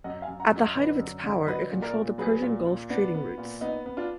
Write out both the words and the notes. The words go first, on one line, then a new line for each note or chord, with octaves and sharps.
At the height of its power, it controlled the Persian Gulf trading routes.
F#2 D#5 F#5
F5 G#5
F#2
F#5 A#5
F#2
D#5 F#5
D3 B4 D#5
F#2
D3
F#3 B4 D#5
A#2
A#4 D5
A#2
F#3 G#4 B4
A#2
A#2
B3 D4
B3
A#2
B3 D#4
B3
D4 F4